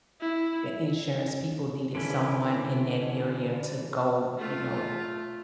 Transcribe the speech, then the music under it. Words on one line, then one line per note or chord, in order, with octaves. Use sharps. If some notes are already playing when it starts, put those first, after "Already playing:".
the insurance people needed someone in that area to go, you know,
E4
D3 E3 C#4 E4
A3 F4